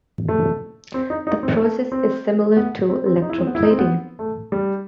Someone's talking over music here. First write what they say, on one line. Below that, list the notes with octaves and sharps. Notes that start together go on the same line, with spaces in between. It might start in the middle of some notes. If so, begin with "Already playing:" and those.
The process is similar to electroplating.
A3
C4
D#4
D#4
C4
A3
C4
B3
C4
C4
D#4
E4
C4
B3
E4
D#4
C4
B3
A3
G3